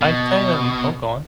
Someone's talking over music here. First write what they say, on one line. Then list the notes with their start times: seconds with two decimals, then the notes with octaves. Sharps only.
I'd say, um Oh, go on.
0.01 B2